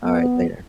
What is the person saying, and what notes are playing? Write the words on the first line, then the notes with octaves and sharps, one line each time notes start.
Alright, later.
B3